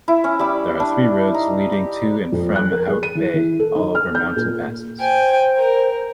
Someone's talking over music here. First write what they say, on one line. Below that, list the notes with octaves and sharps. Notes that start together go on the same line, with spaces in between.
There are three roads leading to and from Hout Bay, all over mountain passes.
E4
C#4
G3 D6 E6
D4
D#4
G4
F2
F#6
A#4
G#4
D#7
E3
E3
A4
D#4
F6
G6
A#2
C5 G5 G#5
A#4